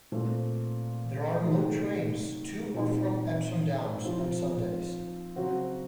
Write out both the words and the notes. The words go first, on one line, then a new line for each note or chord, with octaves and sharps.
There are no trains to or from Epsom Downs on Sundays.
A#2 A3 C4
C3 D#3 F#3 A3
A#2 F#3 C4 D#4
F3 C4 F4
C#3 F#3 C4 F#4